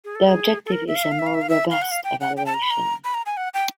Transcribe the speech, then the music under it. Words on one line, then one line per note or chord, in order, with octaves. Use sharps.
The objective is a more robust evaluation.
G#4
A4
G#4
A4
A#4
E5
F5
E5
F5
E5
F5
E5
F5
E5
F5
F#5
F5
G5
F#5
G5
A5
A#5
B5
A#5
B5
A#5
G#5
F#5
G5